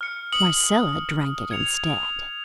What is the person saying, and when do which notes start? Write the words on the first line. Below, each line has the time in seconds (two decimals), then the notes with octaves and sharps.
Marcella drank it instead.
0.01 F6 C#7
0.32 D#6 C#7 F#7
1.51 G#6 C#7 F7